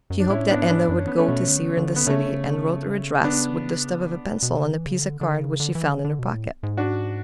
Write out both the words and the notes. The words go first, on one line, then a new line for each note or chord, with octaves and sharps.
She hoped that Edna would go to see her in the city, and wrote her address with the stub of a pencil on a piece of card which she found in her pocket.
F#2
D4
A2 C#4 E4
B3 D4
G#2
B3 D4
F#2 D4
C#4
B3
A3 C#4
B2
D3
D3
B3
C#3 A3 C#4
B3 D4
B2
C#3
E3
C#3
D3
D3
C#3
D3
E3
D3
D3
B2
A2
G#2
D4 F#4